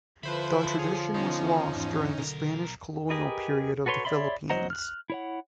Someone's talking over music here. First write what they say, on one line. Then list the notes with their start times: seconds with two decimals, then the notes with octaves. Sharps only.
The tradition was lost during the Spanish colonial period of the Philippines.
0.23 D3 F3 E4 B4 C5 B5
0.79 C#4 G#4 C#5
1.14 B2 C#4 D#4
1.75 E2 G#2
2.18 B1 D3 A#4
3.10 G4 G#4 A#4 B4 D#5
3.86 F#4 A4 B4 C#5 C6
4.05 C#5 D5 E5 B5 C6
4.50 F#3 C5 D#5 F#5 A#5
4.70 F6 F#6
5.10 E4 C#5 F#5